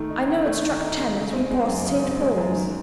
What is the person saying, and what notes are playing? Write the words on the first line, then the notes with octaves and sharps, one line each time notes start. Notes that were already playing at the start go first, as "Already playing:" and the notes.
"I know it struck ten as we passed St. Paul's."
Already playing: D#3 A3
D#4
D#3
A3
D#3
D#4
D#3
C#3
C4
G#3
F#2
C#3
C4
G#3
F#2
D#3